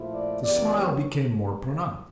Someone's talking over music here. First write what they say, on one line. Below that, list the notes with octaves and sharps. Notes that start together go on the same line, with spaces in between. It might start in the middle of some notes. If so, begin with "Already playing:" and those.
The smile became more pronounced.
Already playing: A#2 F3 A3 E4
D5
E2 C#3 G3 A#3 D5
C#5